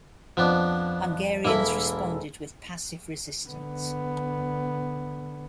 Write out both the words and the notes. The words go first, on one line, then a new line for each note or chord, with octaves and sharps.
Hungarians responded with passive resistance.
F2 F3 B3 D4
E1 A#3 E4 A4 E5 B5
D3 B3